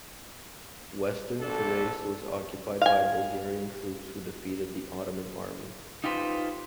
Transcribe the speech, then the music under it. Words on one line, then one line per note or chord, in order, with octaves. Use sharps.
Western Thrace was occupied by Bulgarian troops who defeated the Ottoman army.
A#1 D4 A4
F5 G#5
D#4 F4 G4 B4 C5